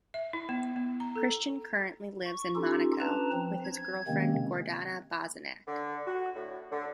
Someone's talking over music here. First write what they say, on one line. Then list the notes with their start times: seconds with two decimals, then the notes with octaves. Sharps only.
Christian currently lives in Monaco with his girlfriend Gordana Bosanac.
0.14 E5
0.33 E4
0.49 B3
0.76 B3
1.00 A#5
1.16 A4
2.25 C#6
2.56 C#4 D#4 F4 G4 A4
3.00 C#4 D4 B4 A5 A#5
3.33 F3 C4
3.64 G#6
4.08 C3 D#3 G#3 A#3 C4 C#4
5.67 D3
6.06 F#4
6.35 A2
6.71 D3